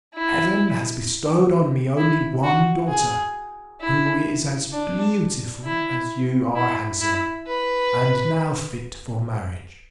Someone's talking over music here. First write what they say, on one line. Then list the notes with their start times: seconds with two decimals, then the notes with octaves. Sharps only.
Heaven has bestowed on me only one daughter, who is as beautiful as you are handsome, and now fit for marriage.
0.14 E4
1.97 E4
2.43 F#4
2.89 G#4
3.81 E4
4.73 D4
5.64 E4
6.56 E4
7.01 E4
7.47 B4